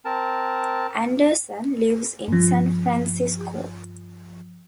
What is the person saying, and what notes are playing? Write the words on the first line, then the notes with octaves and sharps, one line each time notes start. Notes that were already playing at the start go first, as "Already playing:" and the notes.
Anderson lives in San Francisco.
C4 A#4 A5
G2 F3